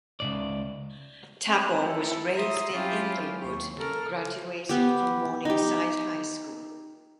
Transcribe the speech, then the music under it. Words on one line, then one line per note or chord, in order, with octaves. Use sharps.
Tabor was raised in Inglewood graduated from Morningside High School.
C#2 A#2 D5
C4 G#5 F#6
E4 A4
E5 A#5 C6 D#6
F#3 C4 C#4 E4 F4 G4
D#2 C#6
C#3 A4 A#4 F6
B3 G4
D#4 G4